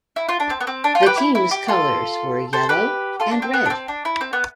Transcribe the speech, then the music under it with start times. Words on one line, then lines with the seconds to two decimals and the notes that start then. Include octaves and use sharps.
The team's colors were yellow and red.
0.16 E4
0.29 F4
0.40 D4
0.50 C4
0.61 B3
0.67 C4
0.84 D4
0.95 F4
1.03 C5
1.06 G4 B4
1.17 E4
1.35 E4
1.51 G4
1.68 F4 A4
2.53 A4 C5
2.69 G4 B4
3.20 F4 A4
3.31 D4
3.42 C4
3.54 B3
3.65 D4
3.70 C4
3.88 D4
4.05 E4
4.21 C4
4.33 B3